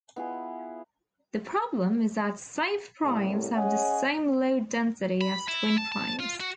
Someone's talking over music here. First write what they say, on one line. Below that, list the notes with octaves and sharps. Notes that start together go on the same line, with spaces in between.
The problem is that safe primes have the same low density as twin primes.
B3 E4 F4 G#4
C2 A2
C#4 G#4 C#5 D#5 F#5 G#5
B5
E4
A5
A5
F4
F#4